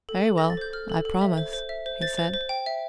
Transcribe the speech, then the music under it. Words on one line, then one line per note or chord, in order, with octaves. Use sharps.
"Very well--I promise," he said.
A4
A4
A4 A#6
A6
C5 G6
A4 F6
A4
A4
E5
C5
C5
E5
C5
C5 A6
C5
C5
G5
E5